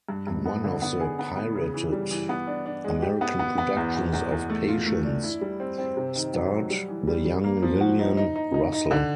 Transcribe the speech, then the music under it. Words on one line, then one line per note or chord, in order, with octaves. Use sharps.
One of the "pirated" American productions of "Patience" starred the young Lillian Russell.
G2
G2
B3
D3
B3
G#4
B3
B3
C#3
E3
G3
E3
B3
D4
D4
G#3
G4
B3
B3
B3
E2
E2
E2
E2
A3
F4
A3
D4
E4
G3
C4
C4
C3
D#3
F#3
F#3
G3
E3
G3
G3
A#3
F3
F#4
D#4
D#4
D#4
D#4
D#4
D3